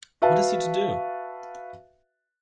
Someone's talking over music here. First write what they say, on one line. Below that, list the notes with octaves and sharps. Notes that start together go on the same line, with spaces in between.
What is he to do?
F#4 B4 E5 F5 A5